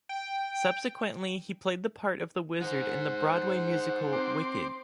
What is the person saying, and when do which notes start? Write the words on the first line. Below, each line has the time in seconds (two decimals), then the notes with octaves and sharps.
Subsequently, he played the part of The Wizard in the Broadway musical "Wicked".
0.09 G5
2.61 D#4 G#4 C5 F#5
4.13 C4 C6 D6